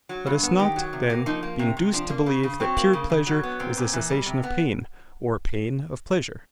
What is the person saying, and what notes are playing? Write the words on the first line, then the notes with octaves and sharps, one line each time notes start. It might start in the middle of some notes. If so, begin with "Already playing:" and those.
Let us not, then, be induced to believe that pure pleasure is the cessation of pain, or pain of pleasure.
F#3
G2
B3
D#3 G4
F#3
C3
A#3
F3 D#4
A#3
C3
C3
F3 D4
A#3
C#3
C#3
F#3 C4
A#3
C#3
C#3
F#3
B3
A#2 C4
A#2
E3
G3
C3
B3